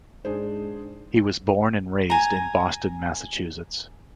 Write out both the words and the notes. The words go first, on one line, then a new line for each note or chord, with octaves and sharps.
He was born and raised in Boston, Massachusetts.
G#2 D4 G#4 C5
G#5 A#5